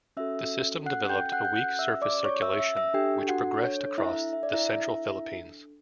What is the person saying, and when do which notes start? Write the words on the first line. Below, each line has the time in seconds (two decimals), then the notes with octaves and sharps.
The system developed a weak surface circulation which progressed across the central Philippines.
0.17 C#4 F#4 A4 E5 E6
0.86 F#5 F#6
1.09 G5 G6
1.32 F#5 F#6
1.45 G6
1.56 F#5 F#6
1.79 E5 E6
2.02 D5 D6
2.25 C#5 C#6
2.42 E5 E6
2.59 E5 E6
2.77 E5 E6
2.94 D4 G4 A4 G5
3.28 F#4 F#5
3.63 C#5
3.98 E4 E5
4.33 E5
4.43 D5
4.53 E4 E5